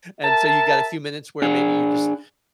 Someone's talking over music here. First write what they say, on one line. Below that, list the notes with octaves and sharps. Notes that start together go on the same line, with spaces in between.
And so, you got a few minutes where maybe you just
A#4 E5 A5
D4 G#4